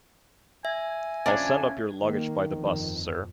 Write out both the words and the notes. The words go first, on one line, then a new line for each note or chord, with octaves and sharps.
I'll send up your luggage by the bus, sir.
E5 G#5
F2 C#4 D4 D5
D#3 A#3
G1 F2